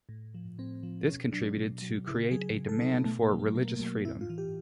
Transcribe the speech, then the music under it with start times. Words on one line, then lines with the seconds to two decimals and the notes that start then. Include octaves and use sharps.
This contributed to create a demand for religious freedom.
0.09 A2
0.34 F3
0.59 A2 C4
0.83 F3
1.08 B2 C#4
1.32 F#3 D4
1.57 B2
1.82 F#3
2.07 C#3 E4
2.31 F#3 G#4
2.56 C#3
2.69 A4
2.81 F#3 D#4
2.94 B3
3.05 B2 A3
3.22 A#3
3.31 F#3
3.39 A#3
3.51 A3
3.55 B2 A#3
3.80 F#3 A#3
4.05 A2 E4
4.21 F4
4.30 E3
4.38 G4